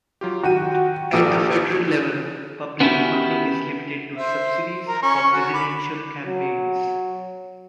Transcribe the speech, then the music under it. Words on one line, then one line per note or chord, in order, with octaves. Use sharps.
At the federal level, public funding is limited to subsidies for presidential campaigns.
F#3 F4 G4
D#3 F#4 G5 D#7
A#1 G4 A4 D5
B3 C#4 D4 E4 F#4 G4
C5 E5
A#4 A#5
C#4 C#6
F#4
B5 D6
F#3